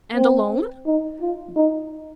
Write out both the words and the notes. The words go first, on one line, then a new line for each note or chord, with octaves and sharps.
"And alone?"
C4
D#4
F4
D#4